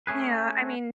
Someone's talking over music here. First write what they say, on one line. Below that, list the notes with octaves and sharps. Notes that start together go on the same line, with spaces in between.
Yeah, I mean
A3 C#4 G#4 B4